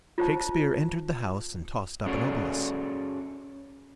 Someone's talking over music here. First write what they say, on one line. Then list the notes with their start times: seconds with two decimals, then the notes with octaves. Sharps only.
Shakespeare entered the house and tossed up an obolus.
0.18 F4 C5 A5
2.06 C#4 F#4 G#4 A4 C#5 D5